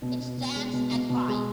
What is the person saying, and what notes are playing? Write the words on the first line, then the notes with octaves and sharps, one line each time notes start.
It stands at high.
B2
B2
B2
G#3
B2
B2
B2
G#3